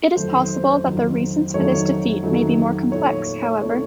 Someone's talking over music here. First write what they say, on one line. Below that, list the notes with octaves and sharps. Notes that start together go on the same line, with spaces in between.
It is possible that the reasons for this defeat may be more complex, however.
F2 D#3 F#3 A3 D#4 C5
C5
F2 D#3 F#3 A3 D#4
F2 D#3 F#3 A3 D#4 C#5
F2 D#3 F#3 A3 D#4
A#2 A3 D#4 C#5
C#5
C#5
A#2 A3 D#4 C#5